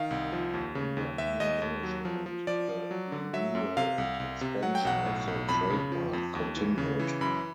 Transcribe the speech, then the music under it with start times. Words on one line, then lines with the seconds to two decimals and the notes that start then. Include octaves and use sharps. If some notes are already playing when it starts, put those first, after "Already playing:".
Under new management the renewal and expansion of the trademark continued.
Already playing: D#3 F5
0.11 C2
0.32 F3
0.54 D#2
0.75 C#3
0.97 D#2
1.18 D#2 E5
1.40 D#2 D#5
1.62 D#2
1.83 F#3
2.05 F3
2.26 F3
2.47 F3 D5
2.69 F3
2.91 F#3
3.12 D3
3.33 F#3 E5
3.55 F#2
3.77 C3 F5
3.98 C2
4.20 C2
4.41 C3
4.63 F#3 F#5
4.75 G5
4.85 B1 F#5
5.06 A2
5.27 B1
5.49 F2 B5
5.70 C#3
5.92 F3
6.13 F2
6.35 D#2
6.56 E3
6.78 C#3
6.99 E3
7.21 F#2 B5